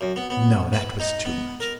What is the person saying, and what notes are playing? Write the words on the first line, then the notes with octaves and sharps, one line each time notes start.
No, that was too much!
F#2
B3
B3
B4
D#4
B3
A#4